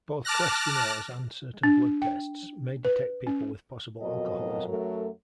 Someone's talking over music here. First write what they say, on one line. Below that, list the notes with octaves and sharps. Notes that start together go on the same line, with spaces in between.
Both questionnaires and certain blood tests may detect people with possible alcoholism.
A5 D6 F6 F#6 A#6
D4
G5
B4
C#4
F2 B2 F#3 A#4 D#5
F#2 F#3 A3 A4 A#4